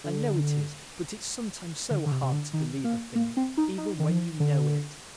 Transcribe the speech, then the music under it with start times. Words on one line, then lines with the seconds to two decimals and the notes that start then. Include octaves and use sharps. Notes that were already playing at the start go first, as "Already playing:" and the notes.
I know it is, but it's sometimes so hard to believe a thing even when you know it.
0.04 D3
1.91 D3
2.06 D3
2.12 C3
2.23 C3
2.33 D3
2.53 D#3
2.84 A#3
3.15 A#3
3.37 C4
3.57 D#4
3.78 D#4
3.99 D#3
4.09 F3
4.40 D3